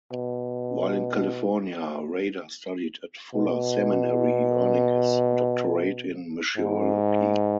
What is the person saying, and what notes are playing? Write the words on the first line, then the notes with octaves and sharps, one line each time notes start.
While in California, Rader studied at Fuller Seminary, earning his doctorate in Missiology.
B2
B2
G#2